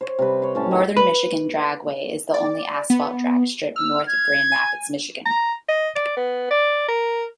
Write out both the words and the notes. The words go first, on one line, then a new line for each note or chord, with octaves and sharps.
Northern Michigan Dragway is the only asphalt dragstrip north of Grand Rapids, Michigan.
C5 C#5
C3 G3 B4
C#5 C6
A2 C#4 A5
D#3
B4
D5
B3
E6 F6
G#6
G#5
A#5
D#5
D5
B3
D5
A#4